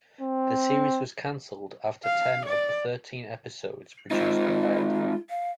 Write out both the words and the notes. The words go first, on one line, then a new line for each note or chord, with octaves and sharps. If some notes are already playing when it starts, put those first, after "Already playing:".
The series was canceled after ten of the thirteen episodes produced were aired.
C4
F5
D5
G#3 C4 D#4 F4
F5